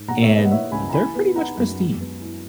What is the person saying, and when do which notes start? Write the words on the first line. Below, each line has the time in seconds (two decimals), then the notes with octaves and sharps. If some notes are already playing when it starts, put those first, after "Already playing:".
and they're pretty much pristine.
Already playing: G#2
0.08 B2 F#5 A#5
0.23 C#5 E5
0.30 A#3
0.37 B4 D#5
0.44 F#5
0.51 E4 C#5 E5
0.72 C#2 G#5 B5
0.89 A#5
0.94 E3 G#5 B5
1.15 B3
1.36 D#4 F#5 A#5
1.58 F#2
1.79 G#3
2.00 B3
2.21 E4